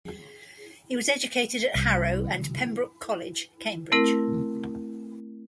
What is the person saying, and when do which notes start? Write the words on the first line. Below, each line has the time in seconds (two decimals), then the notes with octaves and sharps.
He was educated at Harrow and Pembroke College, Cambridge.
1.75 C2
3.92 A3 C4 E4 A#4